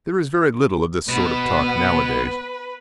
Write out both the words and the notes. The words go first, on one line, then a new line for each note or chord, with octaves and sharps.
There is very little of this sort of talk now-a-days.
B2 B3 B4